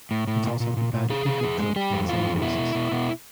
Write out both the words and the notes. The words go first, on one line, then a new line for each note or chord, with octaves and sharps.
It also prepared a pick up truck from the same basis.
A2
A2
A#2
A#2
A#2
A#2
C3 G#4
C3
F2
G#3
G3 G4
F2
E3 F4
F2
B2 E4
B2
B2
B2